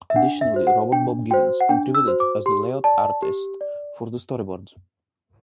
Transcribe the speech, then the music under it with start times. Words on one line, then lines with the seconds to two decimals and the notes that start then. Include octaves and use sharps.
Additionally, Robert "Bob" Givens contributed as the layout artist for the storyboards.
0.10 E5
0.16 D4 F#5
0.41 E5
0.54 F#4 C5
0.67 F#5
0.92 D4 G5
1.31 F#4 C5 G5
1.60 F#5
1.69 D4 G5
1.95 E6
2.08 F#4 C5
2.20 D6
2.46 G4 C6
2.84 D5 A5
3.22 G4
3.61 D5